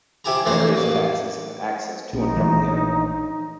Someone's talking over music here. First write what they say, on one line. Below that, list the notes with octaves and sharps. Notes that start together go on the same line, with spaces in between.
Various taxis have access to and from the airport.
C3 E4 G4 G#5 A#5
F2 E3 A3 C5 A#5
A1 A#3
A#1 D#4
A#1 E3 A3